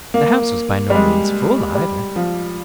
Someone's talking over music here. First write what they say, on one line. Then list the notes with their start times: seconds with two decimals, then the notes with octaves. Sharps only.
The house was by no means full, either.
0.14 A#3
0.90 G3
0.94 G#3
1.75 G3
2.16 F3